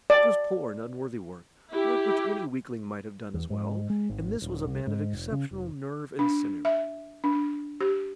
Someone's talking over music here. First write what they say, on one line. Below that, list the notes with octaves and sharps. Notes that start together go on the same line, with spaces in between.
It was poor and unworthy work--work which any weakling might have done as well, and this was a man of exceptional nerve and sinew.
D5
E4 G4
E2
G#2
G#3
G#1
D#1
C2
G#2
F1
C#3
F1
D4
E5
D4
G4